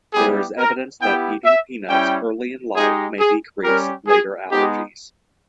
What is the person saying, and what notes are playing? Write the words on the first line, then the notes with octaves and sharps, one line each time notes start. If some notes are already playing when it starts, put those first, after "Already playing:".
There is evidence that eating peanuts early in life may decrease later allergies.
G3 B3 E4 G4 G#4
A#4
B3 E4 G4 G5
E5
G3 C#4 E4 G5
G#3 D#4 G4 G#4
G#4
G3 C#4 G4 A#4
G#4
G#3 B3 D#4 G4